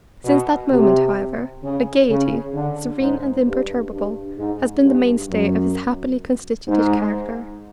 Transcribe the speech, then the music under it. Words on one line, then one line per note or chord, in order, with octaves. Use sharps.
Since that moment, however, a gaiety, serene and imperturbable, has been the mainstay of his happily constituted character.
B2
C3
C#3
C#3
D3
G#2
G2
G2
G#2
G2
F#2
G#2